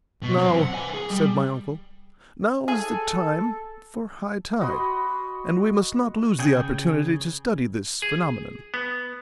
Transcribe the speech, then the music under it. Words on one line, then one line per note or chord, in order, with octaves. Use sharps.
"Now," said my uncle, "now is the time for high tide, and we must not lose the opportunity to study this phenomenon."
B2
F#2 C4
F#5
B4 G#5
G#4
G3
G#4 A4
F#4 D#5 B5 C6
C#3 G#4 G5
G#4
B3